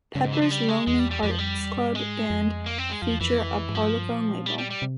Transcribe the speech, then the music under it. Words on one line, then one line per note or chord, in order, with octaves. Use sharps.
Pepper's Lonely Hearts Club Band feature a Parlophone label.
G2 C#3
G#2
E3
F3
G3
G#3
E2 G#3
G3
G3
F2 G3
F3
G3
E2
G2
G#2 G#3
F2
A#3
C4
G#3
F2 F3
E2
F2 E3
G#2
G2 F3
A#2
G3
G3
G3
C3